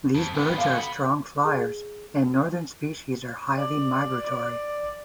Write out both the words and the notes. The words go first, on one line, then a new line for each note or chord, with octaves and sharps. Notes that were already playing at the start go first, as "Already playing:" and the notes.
These birds are strong fliers and northern species are highly migratory.
F2
D#3 B3
G#2 D3 A4 F5
F#4 B5
G#4
D5
D5